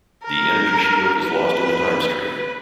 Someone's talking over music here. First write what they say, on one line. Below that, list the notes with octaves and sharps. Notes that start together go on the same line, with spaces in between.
The energy shield is lost in the time-stream.
A#4
B4
B4